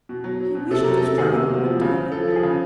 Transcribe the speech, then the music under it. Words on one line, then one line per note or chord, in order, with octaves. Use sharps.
He wished to struggle on to the end.
B2
F#3
F#3
B2
C3 A4
F#3 A#4
A4
C3
D#3 G#4
C3
F#3
F3
C#3
C#3
F3 A4
F3
G#4
C#3